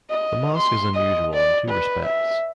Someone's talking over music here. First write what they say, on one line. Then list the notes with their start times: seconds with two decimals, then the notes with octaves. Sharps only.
The mosque is unusual in two respects.
0.10 D#5
0.57 C6
0.94 D#5
1.34 D5
1.69 B4
2.05 E5